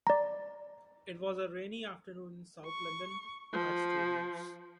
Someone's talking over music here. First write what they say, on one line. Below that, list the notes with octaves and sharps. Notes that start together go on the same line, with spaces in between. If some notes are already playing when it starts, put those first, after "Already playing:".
It was a rainy afternoon in South London, Art Studios.
D5 A#5
C#6
F3